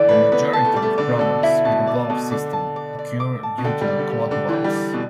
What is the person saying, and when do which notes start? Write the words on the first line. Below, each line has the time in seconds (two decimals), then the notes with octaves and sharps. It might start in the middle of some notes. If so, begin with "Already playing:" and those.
The majority of problems with the valve system occur due to clogged valves.
Already playing: D3 E3 D5
0.09 A3 B4
0.32 B3 B4
0.53 A5
0.65 A3
0.73 G3 D5
0.82 A3
0.98 D3 D5
1.09 B2
1.19 D3 A4
1.43 E4
1.65 B2 A5
1.87 D5
2.10 B2 A4
2.31 D3 D6
2.53 A5
2.76 D5
2.99 D5
3.20 D6
3.43 A5
3.58 B2
3.64 D3 G5
3.81 G3
3.88 D5
3.99 D3
4.10 G4
4.31 D3 D6
4.48 E3 G5
4.64 G3
4.75 D5
4.94 B2